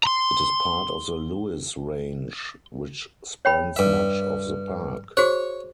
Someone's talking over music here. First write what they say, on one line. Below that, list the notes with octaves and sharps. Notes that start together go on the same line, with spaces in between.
It is part of the Lewis Range, which spans much of the park.
A#5 C6
C#5 G5 B5
G2 E5
F#4 G#4 C5 C#5